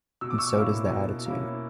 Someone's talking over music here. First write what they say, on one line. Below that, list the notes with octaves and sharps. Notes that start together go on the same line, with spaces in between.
And so does the attitude.
B2 E6
D6
C#6 E6
A#3 C#4 E4
B2
A#3 C#4 E4